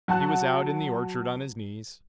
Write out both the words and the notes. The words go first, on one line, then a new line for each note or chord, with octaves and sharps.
He was out in the orchard on his knees.
F#3 F#4 A5 F#6